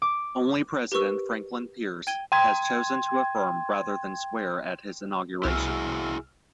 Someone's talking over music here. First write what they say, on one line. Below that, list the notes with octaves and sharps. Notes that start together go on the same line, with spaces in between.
Only President Franklin Pierce has chosen to affirm rather than swear at his inauguration.
D6
G4 A#4 B4 C#6 E6
G5 G#6 D#7 G7
G5 C6 G#6
C2 E4 F#4 G#4 E6 F6